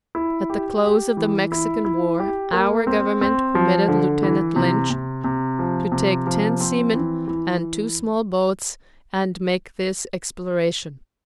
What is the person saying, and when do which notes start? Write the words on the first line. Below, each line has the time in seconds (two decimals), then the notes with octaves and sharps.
At the close of the Mexican War, our Government permitted Lieutenant Lynch to take ten seamen and two small boats and make this exploration.
0.15 E4
0.50 G4
0.84 G4
1.17 E3
1.52 E4
1.85 E4
2.20 G4
2.53 A#3
2.87 C4
3.21 C4
3.55 F3
3.88 D3
4.23 E3
4.56 C3
4.90 C3
5.24 C3
5.59 F3
5.92 C3
6.27 F3
6.61 C4
6.94 E3
7.28 E3